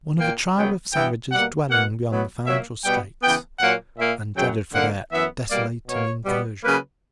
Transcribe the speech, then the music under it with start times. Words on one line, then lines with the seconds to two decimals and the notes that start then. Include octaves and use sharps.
One of a tribe of savages dwelling beyond the Financial Straits and dreaded for their desolating incursions.
0.18 A#2 A#3 G5
0.56 F#2 C#3 F#3 B3 G5
0.94 G2 E3 B3 G5
1.31 B2 G3 A#3 F#5
1.70 B2 A#3 F#5
2.08 B2 F#3 B3
2.46 A#2 F#3 A#3 E5
2.84 B2 G3 B3 G5
3.21 C#3 E3 B3 G5
3.59 A#2 F#3 A#3 F#5
3.97 A#2 A#3 E5
4.35 F#2 C#3 F#3 G5
4.73 F#2 D3 A#3 F#5
5.11 F#2 E3 B3 E5
5.49 B2 G3 A#3 D5
5.87 B2 A#3 C#5
6.25 B2 G3 B3
6.63 C#3 F#3 A#3 B4